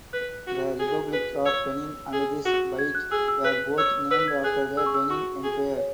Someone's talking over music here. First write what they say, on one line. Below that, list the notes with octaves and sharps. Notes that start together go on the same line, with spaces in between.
The Republic of Benin and this bight were both named after the Benin Empire.
B4 F#6
F#4
G#4
B4
C#5 E6
G#4
F#4
G#6
F#6
G#4 E6
E6
B4 F#6
C#5 E6
B4 E6
G#6
G#4 F#6
F#6
G#4 E6
C#6
E6
F#4 C#6
G#4
C#5